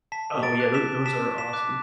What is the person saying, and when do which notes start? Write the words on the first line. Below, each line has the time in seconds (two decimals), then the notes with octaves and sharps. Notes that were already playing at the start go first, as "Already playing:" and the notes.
Oh yeah, tho those are awesome.
0.12 A5 B6
0.43 A6 D7
0.58 D6 F#6
0.74 B6 E7
1.05 A5 B6 E7
1.38 B6 E7
1.53 D6 F#6